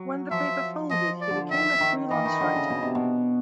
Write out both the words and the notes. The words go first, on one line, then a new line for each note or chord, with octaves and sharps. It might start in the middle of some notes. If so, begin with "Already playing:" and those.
When the paper folded, he became a freelance writer.
Already playing: F#3
F3 E5
F3 D#5
D5
D3
D#3 E5
D#3
E3 D#5
D#3
D3
C#3
B2
C3
B2